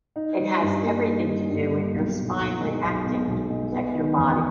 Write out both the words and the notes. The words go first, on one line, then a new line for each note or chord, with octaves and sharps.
It has everything to do with your spine reacting to protect your body.
D#4
G3
G2
A#3
D#4
G3
G2
A#3
B1
B2
B1
G#3
B1
B2
B1
G#3
B3
D#3
E2